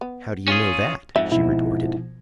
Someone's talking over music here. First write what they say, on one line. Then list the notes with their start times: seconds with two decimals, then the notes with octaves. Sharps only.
"How do you know that?" she retorted.
0.01 B3
0.48 C#4 F4 G#4
1.16 F2 G#2 E5
1.32 B2 F3 E4